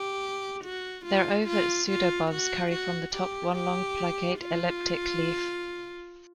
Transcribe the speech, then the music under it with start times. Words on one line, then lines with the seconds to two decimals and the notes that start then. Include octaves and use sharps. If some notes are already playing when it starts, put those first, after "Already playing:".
Their ovate pseudobulbs carry from the top one long, plicate, elliptic leaf.
Already playing: G4
0.64 F#4
1.06 F4
1.48 F4
1.90 F4
2.31 F#4
2.72 F#4
3.15 G4
3.56 G4
4.40 F4